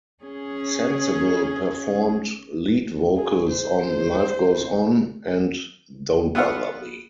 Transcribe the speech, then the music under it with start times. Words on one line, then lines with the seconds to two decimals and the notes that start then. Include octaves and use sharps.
Sensible performed lead vocals on "Life Goes On" and "Don't Bother Me".
0.23 C#4 G#4
3.17 G#4
3.51 C5
6.35 B3 F4 E5 F#5 F6